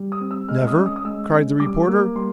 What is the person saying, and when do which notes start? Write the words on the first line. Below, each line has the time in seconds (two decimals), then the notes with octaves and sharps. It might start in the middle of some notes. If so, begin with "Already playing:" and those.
"Never?" cried the reporter.
Already playing: G3
0.12 D#6
0.21 C4
0.31 E6
0.49 G#3 F6
0.61 E6
0.67 D#6
0.76 C#4
0.86 D#6
0.96 D#6
1.05 G#3 E6
1.32 C#4
1.60 G3 D6
1.88 A#3
2.15 G3 C6